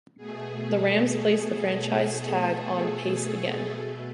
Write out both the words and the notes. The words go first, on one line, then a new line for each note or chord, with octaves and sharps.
The Rams placed the franchise tag on Pace again.
B2 A3 G#4
A4
A4
B2 A3